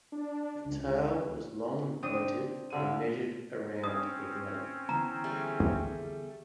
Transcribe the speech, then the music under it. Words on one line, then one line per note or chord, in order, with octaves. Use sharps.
The tail was long and pointed, and measured around in length.
D4
C#2
C4 D4 D#6 D#7
B1 D3 D#7
C4 C#4 D#6
D3 E3 B3 A#5
G3 A3 G#4